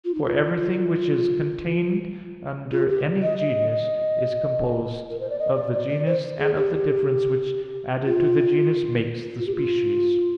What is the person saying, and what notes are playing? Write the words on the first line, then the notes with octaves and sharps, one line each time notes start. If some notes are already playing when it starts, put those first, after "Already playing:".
For everything which is contained under any genus is composed of the genus, and of the difference which added to the genus makes the species.
F4
D#4
F4
F4
G4
D#5
D#5
A#4
C5
D5
D#5
D5
D5
D5
C5
G#4
G4
F4
F4
G4
F4